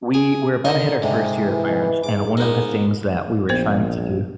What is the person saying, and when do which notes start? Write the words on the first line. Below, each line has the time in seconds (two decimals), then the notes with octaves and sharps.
we we're about to hit our first year of marriage, and one of the things that we were trying to do
0.14 G#4
0.65 D3 D#4 A#4
1.02 G#2 C3
1.45 E3
2.04 G#2 D6
2.37 A#3 B3
3.49 A#1 B3 A#4 C5